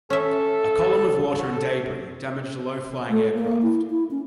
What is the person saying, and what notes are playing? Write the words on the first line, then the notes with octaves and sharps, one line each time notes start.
A column of water and debris damaged the low flying aircraft.
C#4 A4 E5
F#4
A4
A3
A#3
E4
E4
C#4